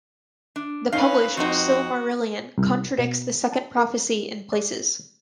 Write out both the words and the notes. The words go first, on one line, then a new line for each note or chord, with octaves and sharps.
The published "Silmarillion" contradicts the Second Prophecy in places.
D4
C#4 D#4 B4 F5
F2 C4 D#4 F#4
C2
B2
A5
A#4
D5